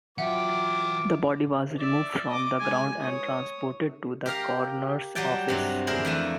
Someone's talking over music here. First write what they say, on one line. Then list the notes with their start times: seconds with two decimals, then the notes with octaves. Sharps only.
The body was removed from the ground and transported to the coroner's office.
0.18 E3 F#3 F4 E5 F#5 G5 D6
1.79 D5 E5
2.28 D#5 D6
2.60 G#3 G#5
3.01 C#5 D#6
4.26 G4 A#4 F5 A#5
5.15 F#3 G3 G4 G5 A5
5.48 G2 C3 F#3
5.87 D4 E4 G#4 A#4 C5
6.05 F2 E3 A3